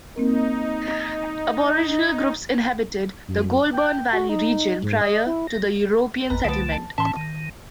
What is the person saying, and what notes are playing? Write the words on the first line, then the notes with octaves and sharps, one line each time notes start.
Aboriginal groups inhabited the Goulburn Valley region prior to European settlement.
A#3 C4 D#4 A#4
F#2
G5
F#4
D#4
G#2
D#5
E4
A#6
G#1 F2 B4 A#5
C2 D3 F3 A3 B3
A5
A2 E3 C#4 A5 C6
D#3